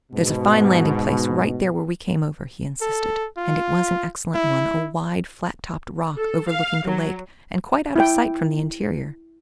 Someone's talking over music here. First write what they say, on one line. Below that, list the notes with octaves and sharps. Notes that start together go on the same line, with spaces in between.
"There's a fine landing place right there where we came over," he insisted, and it was an excellent one--a wide, flat-topped rock, overlooking the lake, and quite out of sight from the interior.
G#2 B2
A4
F4
E4
A4
F5
F#3
E4 G5